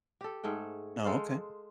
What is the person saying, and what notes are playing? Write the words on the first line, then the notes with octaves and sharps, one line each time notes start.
Oh, okay.
G4 A4
G#2 A3 G#4 G5
G#3 A4 C5 F5